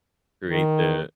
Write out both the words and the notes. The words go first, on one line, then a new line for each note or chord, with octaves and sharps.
create the
D#3